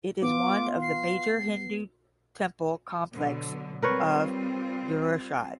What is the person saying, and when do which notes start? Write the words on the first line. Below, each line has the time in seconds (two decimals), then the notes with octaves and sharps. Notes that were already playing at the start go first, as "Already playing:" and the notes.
It is one of the major Hindu Temple complex of Gujarat.
0.22 B3 F4 D6
0.82 C7
3.13 B2 D3 F#3
3.82 G3 C4 F4 A#4 B4 C#5